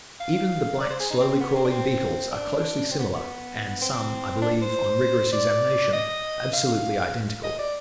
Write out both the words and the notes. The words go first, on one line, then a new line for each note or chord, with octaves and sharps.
Even the black slowly crawling beetles are closely similar, and some, I believe, on rigorous examination, absolutely identical.
F5
D5
C5
G#4
D#4
C4
C4
B3
C4
D4
C4
D4
C4
B3
B3
C4
D4
C5
D5
D#5
F5
D#5
D5